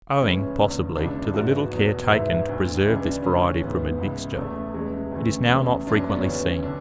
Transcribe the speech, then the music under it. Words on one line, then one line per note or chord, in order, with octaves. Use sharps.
Owing, possibly, to the little care taken to preserve this variety from admixture, it is now not frequently seen.
C#2 C#3 E3 C#4
E2 D3
C#2 C#3 E3 D4
D4
D4
G#2 E3 F#4
E2 B2
G#2 E3 E4
D2 D3
C#2 C#3 E3 D4
D2 D3 C#4
G#2 E3 B3
C#2 C#3 E3
E2 C#3 E3 A3
E2 C#3 E3 G#3
D2 C#3 E3 A3
E2 C#3 E3
F#2 C#3 E3 D4
C#4
B3
C#4
D2 C#3 E3
D3 D4